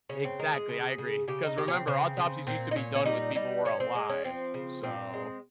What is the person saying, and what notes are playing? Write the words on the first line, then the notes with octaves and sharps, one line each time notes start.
Exactly. I agree, 'cause remember, autopsies used to be done when people were alive. So
C#3 C#4
C4
G#3 A#4
G#4
C#3
C#3
C#3 G4
D#4
C#3 G4
C#4
C4
C#3 C4
C#3
A#2 C4
D#4
A#2 C#4
C#4
G3 D#4
G3 D#4
F3 C#4
C4
G#3
C#4
F3 C4
C#3
A#2 C4
G#3